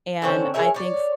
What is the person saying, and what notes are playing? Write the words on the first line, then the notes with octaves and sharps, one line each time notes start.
and I think f
D3 C4 C#4
G#4 A#4 C#5 E5
C#5 D5